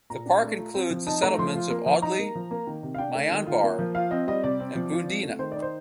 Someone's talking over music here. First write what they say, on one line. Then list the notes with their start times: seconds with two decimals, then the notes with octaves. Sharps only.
The park includes the settlements of Audley, Maianbar and Bundeena.
0.10 A#2 A#5
0.26 D4
0.42 A3
0.58 F4
0.74 C4
0.90 F3
1.07 D#4 A5
1.22 A3 A#5
1.38 F3 C6
1.54 F4
1.70 A#3
1.86 F3
2.02 D#4 A#5
2.19 A#3
2.35 F3
2.51 A#3
2.67 D#3
2.83 C3
2.95 F5
2.98 D4 G5
3.15 A3
3.31 D#3
3.47 F4
3.63 A#3
3.79 F3
3.95 F4 F5
4.11 C4 D#5
4.28 G3 D#5
4.44 C3 D5
4.60 C4
4.75 F3
4.92 F4
5.08 C4
5.23 A3
5.39 D#3 C5
5.52 D#4 D5
5.62 C5